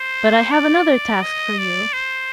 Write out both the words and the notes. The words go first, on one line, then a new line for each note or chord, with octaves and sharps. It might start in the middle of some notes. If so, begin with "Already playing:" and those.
But I have another task for you.
Already playing: C5
D5
D#5
D5
C5